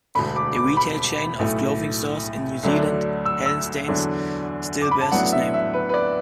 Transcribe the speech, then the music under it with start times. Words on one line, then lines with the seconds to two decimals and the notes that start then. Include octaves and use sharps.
The retail chain of clothing stores in New Zealand, Hallensteins, still bears his name.
0.15 E1 D2 D3 B5
0.36 D6
0.56 D6
0.77 B5
1.39 B1 A2 A3
2.63 D2 D3 F#3 A3 D4
3.25 E6
3.46 E6
3.88 E2 D3 F#3 D4
4.82 D6
4.91 B5
5.01 A5
5.12 A1 A2 F#3 B3 D4 F#5
5.32 E5
5.54 E5
5.73 B4
5.89 B4
5.94 D5